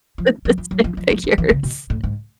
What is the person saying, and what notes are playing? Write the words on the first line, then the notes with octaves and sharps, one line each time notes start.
with the stick figures.
F3
F#3
F3
F#3
F3
F3
F3
F3
E3
C#3
B2
A2
G#2